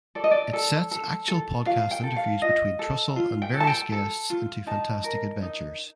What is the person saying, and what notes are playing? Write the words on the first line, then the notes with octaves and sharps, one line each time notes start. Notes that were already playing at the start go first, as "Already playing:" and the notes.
It sets actual podcast interviews between Trussell and various guests into fantastic adventures.
A4 D5
D#5
D5
A4
A4
A4
F4 F5
G5
A4
F5
F4 D#5
A4
F4
G5
A4
A5
G5
A4
F4
D#4 A5
A#4
D#4